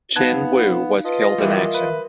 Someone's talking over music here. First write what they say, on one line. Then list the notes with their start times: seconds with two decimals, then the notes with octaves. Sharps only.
Chen Wu was killed in action.
0.16 B3 D#4 F5 A5 F#6 G#6
1.04 F4 B4 D#5 A5
1.22 A#6
1.38 E3 G3 A#4 E5 F5
1.75 B4